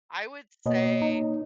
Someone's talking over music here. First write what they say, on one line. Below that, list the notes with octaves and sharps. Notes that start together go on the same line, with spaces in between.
I would say,
B2 A#3 C#5 D#5
D#4